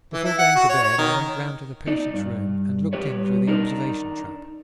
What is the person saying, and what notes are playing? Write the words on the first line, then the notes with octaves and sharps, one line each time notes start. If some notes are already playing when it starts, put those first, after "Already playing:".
Before going to bed I went round to the patient's room and looked in through the observation trap.
E3
E4
F#5
F#4
C#5
C#5
D#3
D#4 D5
G2
G3 G4 B4 C#5
D4 D#4 A#4